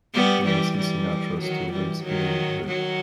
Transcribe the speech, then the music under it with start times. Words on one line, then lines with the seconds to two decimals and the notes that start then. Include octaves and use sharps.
Nancy Sinatra still lives in the neighborhood.
0.14 G3 B3
0.45 E3 G3
0.77 E3 G3
1.40 D#3 F#3
1.72 E3 G3
2.04 D#3 F#3
2.67 D#3 F#3